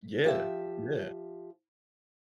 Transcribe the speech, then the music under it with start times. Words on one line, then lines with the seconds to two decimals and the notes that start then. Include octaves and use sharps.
Yeah, yeah
0.24 F3 G4 E5